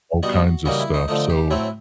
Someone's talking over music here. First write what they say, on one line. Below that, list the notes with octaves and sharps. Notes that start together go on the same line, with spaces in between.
all kinds of stuff, so,
B2 G3 B3 D#4 F#4
C#3 E3 G3 A#3 D#4 F#4
E4
D#4
D3 F3 A3 D#4
G4
A2 F#3 A3 C4 E4